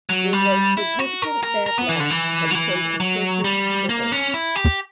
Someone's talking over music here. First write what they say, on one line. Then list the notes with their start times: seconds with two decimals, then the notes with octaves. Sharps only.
There was significant backlash from some conservative circles.
0.09 F#3
0.33 G3
0.77 E4
0.99 F#4
1.22 A#4
1.43 A#4
1.66 A#4
1.78 B3
1.89 E3
2.00 D3
2.10 E3
2.51 F#3
2.55 E3
3.00 F#3
3.44 G3
3.89 A#3
4.12 C#4
4.34 E4
4.56 G4